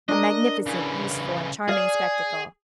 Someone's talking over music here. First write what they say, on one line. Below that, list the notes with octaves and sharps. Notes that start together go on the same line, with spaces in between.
A magnificent, useful, and charming spectacle.
D4 A#4 D#5
C#3 E3
G#4 D5 F5